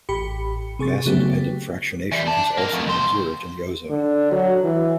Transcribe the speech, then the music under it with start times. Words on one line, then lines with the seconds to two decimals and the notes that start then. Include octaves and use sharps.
Mass-independent fractionation also has been observed in ozone.
0.09 A1 G4 B5 C#7
0.79 C3 G#4 C#6 A6
1.06 C#3 F#3 A3 B3 G4
2.12 E3 G3
2.27 D5 A5
2.58 B2 A#3
2.73 F2 A2
2.87 C2 C5
3.90 D3
4.32 F#3
4.64 E3